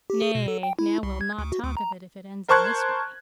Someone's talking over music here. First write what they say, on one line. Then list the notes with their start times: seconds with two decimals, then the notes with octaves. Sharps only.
Nay, now we'll not talk of it, if it ends in this way.
0.10 G4
0.22 G#4
0.35 B2
0.48 A4
0.63 G5
0.79 E4
1.03 C2
1.21 G#6
1.39 D2
1.52 F#4
1.64 D2
1.77 A#5
2.48 A#4 C5 A5 C#6 F#6 G#6